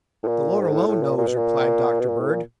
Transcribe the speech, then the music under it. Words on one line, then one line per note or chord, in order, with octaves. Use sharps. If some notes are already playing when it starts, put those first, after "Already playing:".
"The Lord alone knows," replied Dr. Bird.
A2
A#2
G#2
A2
A2
A#2
A#2
B2
A#2
B2
A#2
A2
A#2